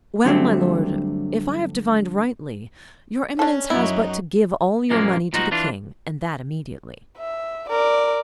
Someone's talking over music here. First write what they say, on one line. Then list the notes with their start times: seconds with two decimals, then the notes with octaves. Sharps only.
"Well, my lord, if I have divined rightly, your eminence has but to give all your money to the king, and that immediately."
0.24 G2 D3 F#3 A3 C4
3.39 C#4 D4 A4
3.70 F#2 F#3 D#4 E4
4.90 F#2 A#2 F3 G#3 A#3
5.33 A#2 F3 D#4 F4 F#4
5.51 E3 D4 F4
7.18 E5
7.70 A#4 D5